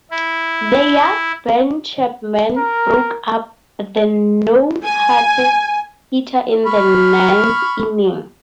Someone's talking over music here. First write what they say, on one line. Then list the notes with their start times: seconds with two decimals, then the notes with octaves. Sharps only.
The Yanks' Ben Chapman broke up the no-hitter in the ninth inning.
0.10 E4
2.57 A#4
4.84 G#5
6.66 B5 C#6 F6